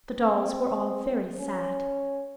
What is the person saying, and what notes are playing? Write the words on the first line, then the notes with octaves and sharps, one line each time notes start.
The dolls were all very sad.
C4
C#4